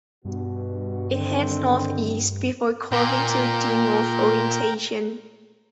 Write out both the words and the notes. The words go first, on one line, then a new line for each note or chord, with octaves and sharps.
It heads northeast, before curving to a due-north orientation.
G2 B2 F#4
D3 D#3 C4
A#2 A#4 G5